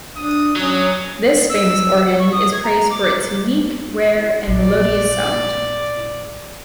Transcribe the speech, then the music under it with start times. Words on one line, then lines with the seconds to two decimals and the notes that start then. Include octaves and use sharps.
This famous organ is praised for its unique, rare, and melodious sound.
0.16 D4 D#6
0.56 F#3 C#4 D#6
1.49 E6
2.04 F#5
2.19 C#6
2.32 D#6
2.52 G#6
2.64 A#5
2.90 D6
4.47 A#1 D5